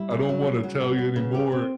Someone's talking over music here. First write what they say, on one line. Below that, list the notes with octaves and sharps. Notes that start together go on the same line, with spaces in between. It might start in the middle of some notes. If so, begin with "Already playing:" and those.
I don't wanna tell you anymore
Already playing: G3 E4
C#3
F#3
C#3
F#3
B3
B3
C#3
G4
C4